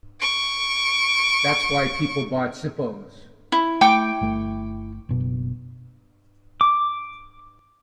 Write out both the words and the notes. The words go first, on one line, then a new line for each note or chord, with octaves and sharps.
That's why people bought Zippos.
C#6 D7
E4
A3 G5 C#6 D6
G1 A3
F#1 B2
D6